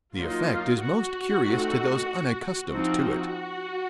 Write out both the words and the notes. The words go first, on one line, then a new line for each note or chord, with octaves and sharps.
The effect is most curious to those unaccumstomed to it.
F#3 A#3 D#4 F4
F#4
A3 C4 D#4
F3 C4 D#4 F#4